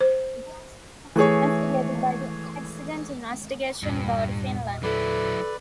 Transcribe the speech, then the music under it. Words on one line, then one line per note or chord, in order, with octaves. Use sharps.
The accident was investigated by the Accident Investigation Board Finland.
C5
E3 A3 G#4 C#5
E2 G2 A#2
F#3 E4 A4 B4 D5